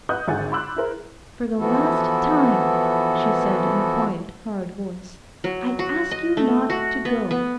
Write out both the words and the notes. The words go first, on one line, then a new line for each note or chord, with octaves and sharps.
'For the last time,' she said in a quiet, hard voice, 'I ask you not to go.'
B4 D#5 F#5 D#6 F#6 G6
G#1 D3 G#4 F#5 G#5 A6
B5 C6 D6 E6 F#6
E4 G#4 A#4 C5
E3 F3 B3 E4 F#4 A4
F#3
F#4
D#5
A3
F#4
B3
B3